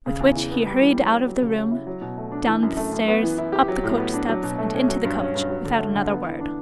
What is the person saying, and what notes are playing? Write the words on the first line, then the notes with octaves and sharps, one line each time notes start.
With which he hurried out of the room, down the stairs, up the coachsteps, and into the coach, without another word.
C#3
E2
E3
B3
G3
E3
C#4
G4
F#3
C#3
C#4
E4
F#3
B2
A3
D4
E3
F#2
A3
F#2
B3
E3
E4
G4
F#3
A2
B3
D4
F#3
B2
A3
C#4
F#3
G2
C#4
G2
F#3
D3
A3
D3
B3
E3
D4